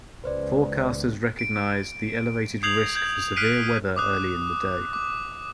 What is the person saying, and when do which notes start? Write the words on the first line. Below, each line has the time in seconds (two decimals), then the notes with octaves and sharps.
Forecasters recognized the elevated risk for severe weather early in the day.
0.24 C#2 B4 C5 D5
1.39 D7
2.63 D#6 G6 G#6 C7 F7 F#7
2.95 G6 G#6
3.36 F6 F#6 B6 C7 D7 D#7
3.96 D6 D#6 F#6
4.93 D6